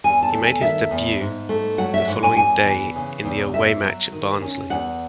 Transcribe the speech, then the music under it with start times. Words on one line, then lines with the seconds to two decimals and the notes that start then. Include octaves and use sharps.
He made his debut the following day in the away match at Barnsley.
0.04 E2 G#5
0.23 A5
0.32 A3
0.43 G#5
0.62 D#3 E5
0.91 E2
1.20 G#2
1.49 A3
1.78 F#3 F#5
1.94 E5
2.07 G#2 F#5
2.23 G#5
2.36 E2 G#5
2.66 E3
2.96 C#3
3.25 E2
3.54 F#2 E5
3.83 F#3
4.12 D#3
4.42 C#4
4.70 E2 F#5